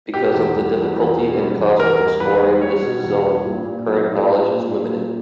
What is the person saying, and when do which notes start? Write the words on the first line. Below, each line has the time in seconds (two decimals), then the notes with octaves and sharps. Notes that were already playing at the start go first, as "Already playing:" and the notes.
Because of the difficulty and cost of exploring this zone, current knowledge is limited.
0.13 B2 G4
0.34 E2
0.55 G3
0.76 E2
0.97 E2
1.17 B2
1.38 G3
1.58 E2
1.79 E2 A#4
2.00 G3
2.20 E2 B4
2.42 G3
2.61 G3 C#5
2.82 B2
3.04 E2
3.23 G3
3.45 A#2
3.65 A#2
3.85 F#3
4.06 A#2
4.27 A#2
4.47 A#2
4.69 A#2
4.89 A#2